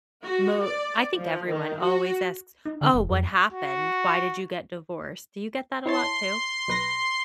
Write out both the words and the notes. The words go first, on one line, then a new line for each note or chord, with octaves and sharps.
mo I think everyone always asks, "Oh, what happened? Why did you get divorced?" Do you get that a lot too?
F#4
D5
F3
D#3
F#4
D#4
D3
F1
F2
F#4
E4 C#5 A5 C6
B1 B4 A#6